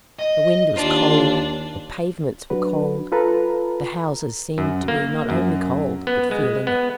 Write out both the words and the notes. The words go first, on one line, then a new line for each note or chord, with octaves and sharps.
The wind was cold, the pavements were cold, the houses seemed to be not only cold but feeling it.
D#5
D#2 D4 F4
F#3 D4 F#4 B4
F4 A4 B4 A#5
F#2
A#3
F#2
B3
G#3
B3